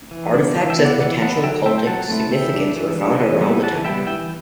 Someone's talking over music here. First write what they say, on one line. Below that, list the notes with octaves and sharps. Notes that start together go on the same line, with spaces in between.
Artifacts of potential cultic significance were found around the temple.
E3
B3 D4
E3
E5 G5
B3 E4
D5 F#5
E3 D5 F#5
B3 E4 F#5 A5
F#3 E5 G5
A3 C4 E4 E5 G5
G5
F#3 F#5 A5
A3 C4 E4
A5
E3 E5 G5
G3 D4
E3
G3 D4
E3
G3 B3 E4
E3 F#5 A5
G3 B3 E4 E5 G5
E3 E5 G5